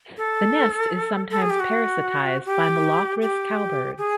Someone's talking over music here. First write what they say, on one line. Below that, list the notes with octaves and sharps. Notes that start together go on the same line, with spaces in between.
The nest is sometimes parasitised by "Molothrus" cowbirds.
A4
A4
G#4
G4
F#4
G4
G4
G#4